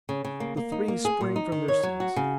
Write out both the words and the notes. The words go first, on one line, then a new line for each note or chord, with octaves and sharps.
The three sprang from their seats.
C#3
C#3
A#3
A#3
D#4
A#3
G#4
A#2
D#4
D#3
C#5
F#3
F#4
C#3